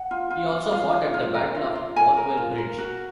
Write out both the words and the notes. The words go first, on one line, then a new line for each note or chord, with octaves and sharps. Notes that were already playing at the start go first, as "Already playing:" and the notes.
He also fought at the Battle of Bothwell Bridge.
Already playing: F#5
F4
F4
F4
F4 F5
F4
F4 F5
A#4
F4
F4
F4 G#5
A#4
F4
A#4
F#4